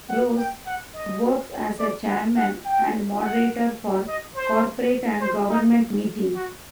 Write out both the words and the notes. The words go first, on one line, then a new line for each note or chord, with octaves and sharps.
Ross works as a chairman and moderator for corporate and government meetings.
F#5
G5
F#5
D#5
D5
F#5
F#5
G5
F#5
D#5
C5
C5
D#4
F#4